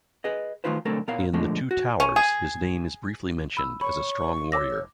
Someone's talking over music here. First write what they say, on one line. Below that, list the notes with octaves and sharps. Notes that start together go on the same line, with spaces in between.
In "The Two Towers", his name is briefly mentioned as a strong warrior.
G#4 B4 D#5
D#3 A3 D#4 F4 B4 C5
B1 D3 A3 C4 A4 A#4
A#2 B3 A#4 C#5 F5
A#2 D3 F3 G#3 A3 D4
F#4
C#4
G#4
B5 E6
C#5 B5 C#6
C#5 D6 E6 A#6